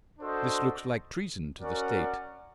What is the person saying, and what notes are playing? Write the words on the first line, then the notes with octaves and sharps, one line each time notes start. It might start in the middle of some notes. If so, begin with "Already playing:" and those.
This looks like treason to the state.
D4 F#4 A4 C5 D#5
C#4 F#4 A#4 D5 F#5